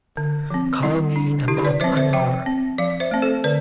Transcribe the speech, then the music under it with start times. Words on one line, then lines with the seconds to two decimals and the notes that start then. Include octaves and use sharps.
Call me in about an hour.
0.17 D3
0.50 F3 C4
0.83 G3 E4
1.16 D4
1.48 D3 E4 G4
1.65 B4 D5
1.81 F3 C4 C5 E5
1.97 C5 E5
2.13 F3 E5 G5
2.46 C4
2.78 F3 D5 F5
3.00 C5 E5
3.11 A3 C4
3.22 A4 C5
3.44 D3 B4 D5